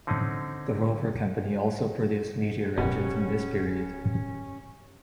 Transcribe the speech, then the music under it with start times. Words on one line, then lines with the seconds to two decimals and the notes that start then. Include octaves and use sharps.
The Rover Company also produced Meteor engines in this period.
0.07 D3 C4 C#4 D#4
2.78 D1 B2 C#4 G4 A#4